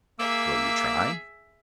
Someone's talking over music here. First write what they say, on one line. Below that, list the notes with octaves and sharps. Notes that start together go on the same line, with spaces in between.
"Will you try?"
A#3 G#4 E5 D6 E6